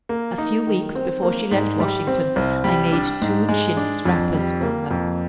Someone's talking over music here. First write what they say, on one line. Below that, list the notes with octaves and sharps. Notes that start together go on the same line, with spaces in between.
A few weeks before she left Washington I made two chintz wrappers for her.
A#3
D#4
D#3
C4
A#3
G#2
G3
C4
C2
G3
D4
G#2
G#3
D4
F2
G3
A#3
F2